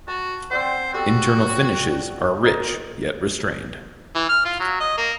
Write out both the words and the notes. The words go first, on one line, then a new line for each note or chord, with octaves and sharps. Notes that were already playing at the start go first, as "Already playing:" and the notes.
Internal finishes are rich yet restrained.
F#4 A5
C4 C5 D5 F#5
B3 F#4 G4 A4
A#4 D#5
E3
F6
F4
F#3
D#5
A#3